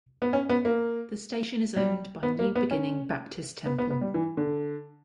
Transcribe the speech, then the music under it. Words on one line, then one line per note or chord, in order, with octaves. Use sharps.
The station is owned by New Beginning Baptist Temple.
B3
C#4
B3
A#3
G3
B3
A#3
B3
C#4
B3
B3
B3
G3
E3
D3